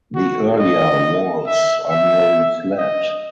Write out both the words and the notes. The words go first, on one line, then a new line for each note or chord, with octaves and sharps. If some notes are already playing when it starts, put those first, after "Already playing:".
The earlier whorls are nearly flat.
F#4
D#5
E5
E5
D#5